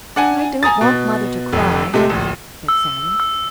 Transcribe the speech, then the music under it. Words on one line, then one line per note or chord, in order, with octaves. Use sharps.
"I don't want mother to cry," said Sallie.
D4 F#5 G#5
G#5 A#5 D#6 A6
B2
F1 F2
C3 G#3 A3
D1 A#1
E6
E6